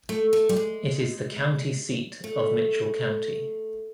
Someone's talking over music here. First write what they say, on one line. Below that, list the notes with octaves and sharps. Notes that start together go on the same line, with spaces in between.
It is the county seat of Mitchell County.
A3
A3
G3
G#3
A3